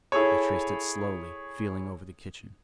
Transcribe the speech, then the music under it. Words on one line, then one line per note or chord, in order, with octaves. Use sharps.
I traced it slowly feeling over the kitchen.
E4 G#4 A4 C#5